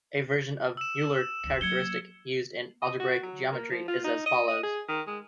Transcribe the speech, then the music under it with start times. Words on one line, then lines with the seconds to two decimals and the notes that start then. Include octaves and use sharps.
A version of Euler characteristic used in algebraic geometry is as follows.
0.77 E6 E7
1.44 F#1 D2
1.61 F#3 A#3 G#6 C#7 G7
2.82 D#5
3.00 F#4
3.23 F#3
3.52 A#3
3.71 F3
3.88 F4
4.04 D#4
4.26 D#5
4.48 D#5
4.63 G#4
4.88 D#3
5.07 G#3